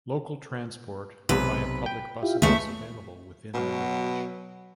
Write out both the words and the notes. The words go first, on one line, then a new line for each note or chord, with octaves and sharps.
Local transport via public buses is available within the village.
B1 C3 B4
G5
E4 F4 G4
C#2 G#3 A3 B3 G#4 E5
B2 F#3